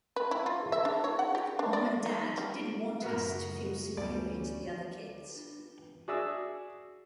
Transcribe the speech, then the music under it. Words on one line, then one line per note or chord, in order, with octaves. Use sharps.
Mom and Dad didn't want us to feel superior to the other kids.
B4
E4
F4
E5
D4
C#5
F#5
G4
D4
D5
D#4
G3
F#2 A2 C#3 B3 F#4 A#4
D2 G3 B3 C#4 D5
F#4 G#4 D5 E5 D#6 E6